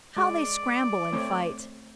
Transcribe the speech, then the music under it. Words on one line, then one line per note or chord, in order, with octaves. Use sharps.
How they scramble and fight!
G#3 D5
A3 C4 C#5